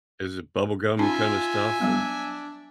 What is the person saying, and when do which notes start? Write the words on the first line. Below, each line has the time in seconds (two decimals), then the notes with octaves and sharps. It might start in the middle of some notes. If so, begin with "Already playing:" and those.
Is it bubblegum kind of stuff? And
0.99 C#4 D#4 F4 E5 G#5 A5
1.80 F#3 G3 B3 D4